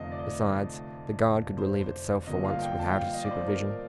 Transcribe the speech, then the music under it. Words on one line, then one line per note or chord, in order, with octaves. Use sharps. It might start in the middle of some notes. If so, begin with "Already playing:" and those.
Besides, the guard could relieve itself for once without his supervision.
Already playing: F1 F2 D3 A3 D#5 F5
D5
D#5
C5
C5
G1 G2 D3 F3 A#3 D#5
F5
G5
A5
G5
F5
D#5
D5
C5
A#4